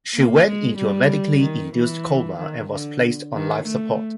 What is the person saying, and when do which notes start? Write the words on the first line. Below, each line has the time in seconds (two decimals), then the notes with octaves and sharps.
She went into a medically induced coma, and was placed on life support.
0.14 A#3
0.46 G#3
0.77 G3
1.42 D#3
1.74 E3
2.38 D#3
2.70 D3
3.34 D#3
3.66 A3